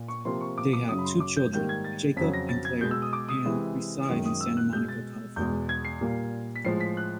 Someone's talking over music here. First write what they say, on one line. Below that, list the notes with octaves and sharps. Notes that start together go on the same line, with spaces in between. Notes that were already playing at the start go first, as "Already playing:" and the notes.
They have two children, Jacob and Claire, and reside in Santa Monica, California.
Already playing: A#2
C#6
C3 F3 A#3 C6
C#6
D6
D6
F#2 C#3 F#3 D#6
B5
C6
D6
G6
G#2 D#3 G3 A#3 G6
G#6
A6
F2 C#3 F#3 B6
A#6
A6
G#6
B2 G#3 G6
E6
D#6
D6
D#6
C3 E3 G#3
F#2 D#3 G#3
D#6
E6
F#6
B2 G#3 G6
A6
E2 B2 G#3 G6
G#6
C7
A#2 G3 A#3
B6
A2 F3 G#3 C7
B6
F#6